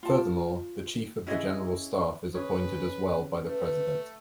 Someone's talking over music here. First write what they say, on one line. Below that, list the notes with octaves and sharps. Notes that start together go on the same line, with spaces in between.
Furthermore, the Chief of the General Staff is appointed as well by the President.
F4 A5
C#4 E4 G#4 D#5
C#4 G#4 B4
A3 B4